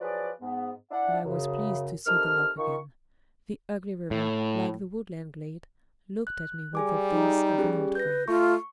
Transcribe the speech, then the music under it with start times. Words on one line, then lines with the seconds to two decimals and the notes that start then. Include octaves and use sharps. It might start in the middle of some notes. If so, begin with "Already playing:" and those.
But I was pleased to see The Loke again. The ugly river, like the woodland glade, looked at me with the face of an old friend.
0.01 F3 F#3 G#4 B4 D5
0.41 G#2 B3
0.91 D4 E4 F#5
1.25 F#2 C#3
2.06 C3 A#3 D#4 A4 F6
2.58 D#3 F4 C#6
4.11 A2
6.27 F#6
6.75 G3 G#4 G#5 D6
7.11 D#4
7.58 C#4 G4 G#4
7.95 B4 G6 A#6
8.28 A3 F4 C#6